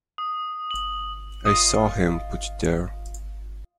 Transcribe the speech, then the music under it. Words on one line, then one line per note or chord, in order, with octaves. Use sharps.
I saw him put it there.
D#6
F#7
F4 D#5